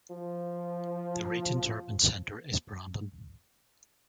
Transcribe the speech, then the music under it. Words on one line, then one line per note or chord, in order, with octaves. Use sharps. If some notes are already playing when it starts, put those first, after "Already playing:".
The region's urban centre is Brandon.
F3